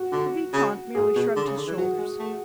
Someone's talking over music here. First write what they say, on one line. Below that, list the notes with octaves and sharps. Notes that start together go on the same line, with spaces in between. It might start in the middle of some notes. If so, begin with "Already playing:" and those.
The vicomte merely shrugged his shoulders.
Already playing: F#4
D3 F#4
C#3
G#2 G#4
B2
D3
C#3
D3
E3
F#3 F#4
G#3
A3